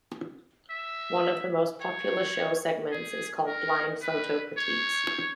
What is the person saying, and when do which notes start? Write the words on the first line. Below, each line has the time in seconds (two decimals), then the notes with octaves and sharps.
One of the most popular show segments is called "Blind Photo Critiques".
0.70 E5
1.81 C#5
2.91 G#4
3.47 A#4
4.02 B4
4.57 C#5